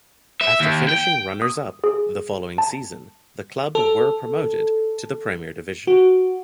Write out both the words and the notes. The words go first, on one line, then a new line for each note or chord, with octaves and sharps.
After finishing runners-up the following season, the club were promoted to the Premier Division.
E5
D#2
G5
D#6
G#4
A5
A4
F#4